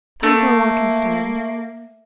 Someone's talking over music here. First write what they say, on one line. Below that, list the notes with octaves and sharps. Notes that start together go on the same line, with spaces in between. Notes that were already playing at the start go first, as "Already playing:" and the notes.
'Come for a walk instead.
A3 A#3